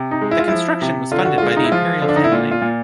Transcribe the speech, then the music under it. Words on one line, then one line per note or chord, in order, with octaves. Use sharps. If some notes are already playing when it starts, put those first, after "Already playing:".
The construction was funded by the imperial family.
Already playing: C3
D#4
G#3
E4
F4
F3 E4
C3
D3 F4
F#4
G#3 F4
D#4
E4
F3 F4
D3
D4
D#4
E4
A#2 F4
F4
A#2